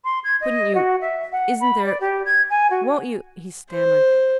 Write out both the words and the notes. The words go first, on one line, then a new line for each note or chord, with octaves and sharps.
"Couldn't you--Isn't there--Won't you--" he stammered.
C6
G#6
D#5
F#4
E5
F#5
B5
D5
G4
G#6
G#5
F#4
C5